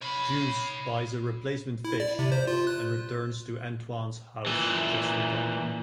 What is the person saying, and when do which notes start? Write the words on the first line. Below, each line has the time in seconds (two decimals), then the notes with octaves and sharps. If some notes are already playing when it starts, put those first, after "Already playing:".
Deuce buys a replacement fish and returns to Antoine's house just in time.
0.02 C#5 B5
1.84 E4
2.00 D5
2.19 C3
2.32 C5
2.47 F4
2.67 F#6
4.46 A#2 E3